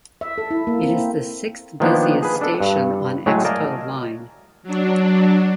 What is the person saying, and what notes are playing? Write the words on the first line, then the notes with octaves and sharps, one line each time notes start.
It is the sixth-busiest station on Expo Line.
E5
A4
E4
A#3
C4
D#3 F3 A#3 B3 D4
G#4 B4
D4 A4
G2
A2 F#3 G#3 A3 G#4
A#4 D5 D#5 F5 G#5 A5
F#3 D4